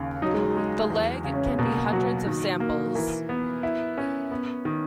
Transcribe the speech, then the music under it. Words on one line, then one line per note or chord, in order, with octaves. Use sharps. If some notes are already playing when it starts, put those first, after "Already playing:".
The lag can be hundreds of samples.
Already playing: D#2 C#3
F#3 D#4
G#3
F#3
G#3
E2
C#3
C#4
B3
B2 A#3
F#3 F#4
D#3
A#3
E3 A#4
B3
E4
C#4
B3
D#3